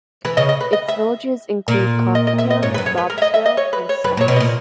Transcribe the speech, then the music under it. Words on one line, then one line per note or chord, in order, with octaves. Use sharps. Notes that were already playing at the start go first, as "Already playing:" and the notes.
Its villages include Coffeetown, Raubsville, and Stouts.
E3 B4
C#3 D#5
D#5
B4
D#5
E5
A#2
D#5
D#5
E5
D#5
G#2 C#5
B4
F#2
C#5
B4
A#4
E5
D#5
E5
D#5
C#5
B4
C#5
F#2 B4
A#2 C#5
B2
D#5
A#2